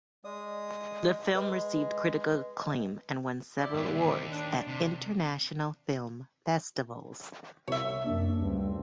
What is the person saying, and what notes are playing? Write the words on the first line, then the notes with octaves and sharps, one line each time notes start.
The film received critical acclaim and won several awards at international film festivals.
G#3 D5 D#6
G#3 B4 D#5
E4 G4 D5
G#2 B3
D#2
D4
C3
C2 C#5 E5
F#2 A#3 D4
D2 G2 C#3 C4